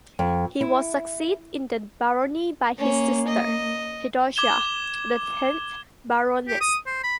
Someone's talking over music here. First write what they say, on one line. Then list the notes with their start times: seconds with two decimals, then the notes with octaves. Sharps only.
He was succeeded in the barony by his sister Theodosia, the tenth Baroness.
0.19 F2
0.61 E4
2.79 A#3 C#4
3.27 D#5
4.36 D6 G#6 E7 G7
6.48 G4
6.60 D#6
6.86 C5
7.03 B5